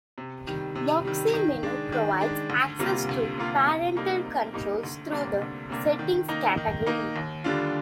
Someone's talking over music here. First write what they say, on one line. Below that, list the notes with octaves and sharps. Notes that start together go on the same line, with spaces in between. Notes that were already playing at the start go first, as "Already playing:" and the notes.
Moxi Menu provides access to parental controls through the settings category.
C3
D#3 G3
C3
D#3 G3
D#3
G#3 D4
D#3
G#3 D4
D2
C3 G3 A#3 F4
D2
C3 G3 A#3 F4
C3
G3 A#3 D#4
C3
G3 A#3 D#4
D2
C3 G3 A#3 D4
D2
C3 G3 A#3 D4
D#3
A#3 D#4
D#3
A#3 D#4
D#2
D3 G3 D4 F4